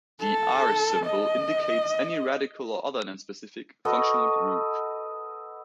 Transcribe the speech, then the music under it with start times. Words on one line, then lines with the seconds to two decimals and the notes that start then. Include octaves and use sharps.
The "R" symbol indicates any radical or other non-specific functional group.
0.21 A4
1.05 D#5
3.85 F#4 A4 B4 D#5